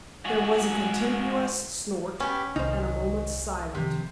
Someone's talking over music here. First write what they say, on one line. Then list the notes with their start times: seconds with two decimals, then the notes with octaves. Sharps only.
There was a contemptuous snort, and a moment's silence.
0.25 G#2 F#4
2.20 B3 C#4 G4
2.56 C2 D#3 D#4 C5
3.75 F#1 C3 D#3 F3